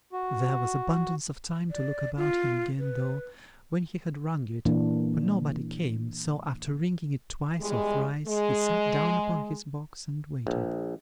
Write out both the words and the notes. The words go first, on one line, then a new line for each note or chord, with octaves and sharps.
There was abundance of time to look about him again though, when he had rung it, for nobody came, so after ringing it twice or thrice he sat down upon his box, and waited.
F#4
D5
F4
B4
A#2 E3 A#3 D4
E2 G3 G#3
G#3
A#1